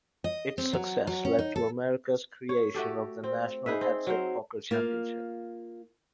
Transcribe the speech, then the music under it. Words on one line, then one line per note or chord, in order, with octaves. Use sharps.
Its success led to America's creation of the National Heads-Up Poker Championship.
D#5
C4
F#3
F#3
C#4
D#4
A4
C#5
A3 F#4 G4 A4
C4
D#4 G#4 B4 E5
C4
F#3 A#4 C5
A#3 F4